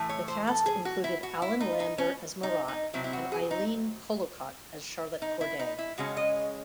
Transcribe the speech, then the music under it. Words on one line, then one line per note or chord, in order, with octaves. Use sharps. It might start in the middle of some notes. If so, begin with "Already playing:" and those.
The cast included Alan Lander as Marat and Eileen Colocott as Charlotte Corday.
Already playing: A2 E3 A3
C#5
C5
A4
G#4
F#4
E4
F#4
E4
D#4
D#4
C#4
D#4
D#4
C3 F#3 C4 E4
E4
F#4
G#4
D#4
D#4
E4
D#4
E4
C#3 G#3 C#4 F#4
D#5